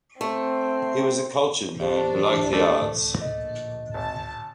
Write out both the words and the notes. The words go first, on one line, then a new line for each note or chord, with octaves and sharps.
He was a cultured man who liked the arts.
A3 C4
E3 D4 G4 C5
A3 D5
A#1 D#5
G#1 A5